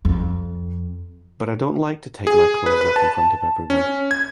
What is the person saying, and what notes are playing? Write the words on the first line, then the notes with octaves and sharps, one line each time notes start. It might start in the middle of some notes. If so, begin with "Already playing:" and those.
But I don't like to take my clothes off in front of everyone.
F2
G#4
B4
B4
A5
C#4
G#6